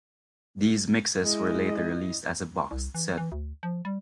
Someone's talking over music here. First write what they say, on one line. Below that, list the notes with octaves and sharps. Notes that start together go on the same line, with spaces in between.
These mixes were later released as a boxed set.
G#3 E4 D#5
C2
E3
E3
D2
F3
G3